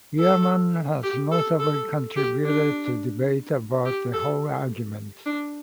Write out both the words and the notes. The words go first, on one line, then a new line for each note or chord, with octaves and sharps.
Earman has notably contributed to debate about the "hole argument".
A4
G4
A4
A4
G4
D4
G4
A4
D4